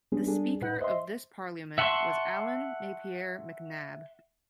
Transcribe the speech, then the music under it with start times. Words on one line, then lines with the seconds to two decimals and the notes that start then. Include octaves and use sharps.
The Speaker of this parliament was Allan Napier MacNab.
0.12 G3 G#3 B3 C#4 D4 G#4
0.27 G3 D4 G#4 A4
0.62 A2 B4 F#5 F#6
0.80 C5 D#5 E5 C6
1.78 E5 F#5 A5 C6 C#6